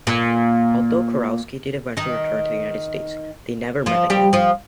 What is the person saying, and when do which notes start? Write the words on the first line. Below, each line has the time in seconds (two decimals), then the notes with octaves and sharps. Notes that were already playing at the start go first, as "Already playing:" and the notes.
Although Kurowsky did eventually return to the United States, they never met again.
0.07 A#2 A#3
1.97 D#3 D#4
3.86 F3 F4
4.10 G3 G4
4.33 F3 F4